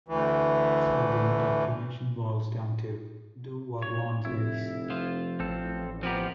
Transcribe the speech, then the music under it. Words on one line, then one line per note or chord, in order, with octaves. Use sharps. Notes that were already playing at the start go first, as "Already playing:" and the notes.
So the indoctrination boils down to: Do what Ron says!
D2 E3
C#5
F1 E4
F3 F4
A1 C4 A4
F3 B3 C4 G4 A#4